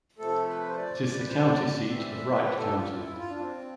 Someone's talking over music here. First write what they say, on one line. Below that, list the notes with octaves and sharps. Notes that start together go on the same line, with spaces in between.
It is the county seat of Wright County.
C3 F3 A3 A4
B4
C5
D5
D5
B4
C5
D5
D5
E3 G3 C4 E5
D5
E5
B4
B4
A4
G4
F4
E4
F4
D4
C4